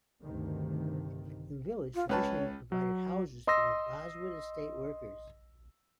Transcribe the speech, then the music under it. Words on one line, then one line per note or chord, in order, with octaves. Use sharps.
The village traditionally provided houses for the Bowood estate workers.
D2 G2 C3 D#3
F4
C#2 B4 C#5 A5
F#3
D#5 C6 D#6 E6 A#6